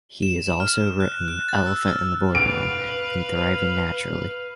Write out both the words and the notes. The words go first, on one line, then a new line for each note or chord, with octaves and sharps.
He has also written "Elephant in the Boardroom" and "Thriving Naturally".
E7
E7
F6
F#6
F#6
A6
E6
F6
B4 F5 D7